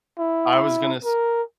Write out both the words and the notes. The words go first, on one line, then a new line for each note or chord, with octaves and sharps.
I was gonna s
E4
A#4